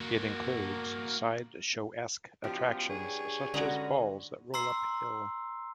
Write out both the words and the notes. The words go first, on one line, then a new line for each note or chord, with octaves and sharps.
It includes side show-esque attractions such as balls that roll up hill.
A#3 F#4
F#2 B2 F3 D4 G4
G2 G#4 C#5
D3 G#3 C#4 F#4 A#5 B5
A#5 C6 E6 C7